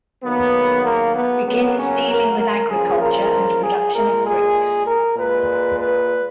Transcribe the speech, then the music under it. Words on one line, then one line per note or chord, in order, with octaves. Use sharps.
Begins dealing with agriculture and production of bricks.
D#3 F#3 A#3 B3
A#3
B3
C#3 F#3 A#3 B3
C#4
A#4
A#4
C#3 F3 A#3 G#4
A#4
G#4
A#2 G#3 A#4
G#4
A#4
A#2 G#3 B4
B4